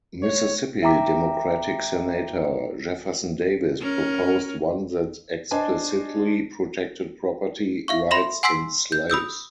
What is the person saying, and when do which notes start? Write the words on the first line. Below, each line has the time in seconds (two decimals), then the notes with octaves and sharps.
Mississippi Democratic Senator Jefferson Davis proposed one that explicitly protected property rights in slaves.
0.22 C#5
0.82 E5 G5 A#5 D6 B6
3.80 C#4 A#4
5.51 D4 C5 D#5 G#5 A5
7.88 E5 F5 C#6
8.11 E5 B5 C6 A#6 E7
8.43 F#5 G#5 C6 E6 B6 C7
8.92 G6
9.10 B5 D#6 E6 G6